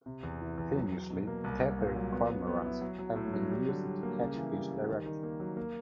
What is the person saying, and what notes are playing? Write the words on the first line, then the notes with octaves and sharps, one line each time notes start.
Famously, tethered cormorants have been used to catch fish directly.
C3
E2
E3
E2
F#3
F#3
B2
A#3
C2
C2
A#2
F#3
B3
F#3
B3
E4
F#3
F#3
A2
F#3
G3
D3
G3
A#3
C#3
E3
G3
G3
D#3
D#3
A#3
F#3
A#3